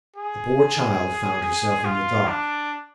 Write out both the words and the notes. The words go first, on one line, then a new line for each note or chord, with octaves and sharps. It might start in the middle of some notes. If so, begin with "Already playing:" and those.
The poor child found herself in the dark.
G#4
F4
D4